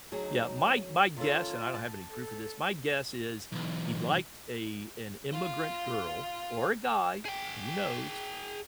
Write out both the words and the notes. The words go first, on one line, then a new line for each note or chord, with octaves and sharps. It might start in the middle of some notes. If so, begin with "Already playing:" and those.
yeah, my my guess- and I don't have any proof of this- my guess is, he liked a an immigrant girl- or a guy, who knows-
D2 F#3 D#4 G#4
D#3 C#4 F4 A4
A5
A4
B1 E2
F4
G#4 G5